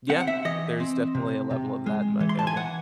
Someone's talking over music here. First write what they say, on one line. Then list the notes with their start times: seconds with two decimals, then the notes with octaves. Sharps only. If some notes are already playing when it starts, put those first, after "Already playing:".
Yeah, there's definitely a level of that in my family.
0.09 C4 F#5
0.20 F#5
0.27 E5
0.45 E3 D#5
0.80 C4
1.15 C3
1.51 C3
1.86 G#3
2.20 E3
2.29 C6
2.39 A5
2.47 G#5
2.56 E3 F#5